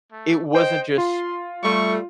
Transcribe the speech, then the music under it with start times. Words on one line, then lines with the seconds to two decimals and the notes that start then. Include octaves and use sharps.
it wasn't just,
0.12 A3
0.55 C5 D#5 G5
0.98 F4 C6
1.63 G3 A3 C#6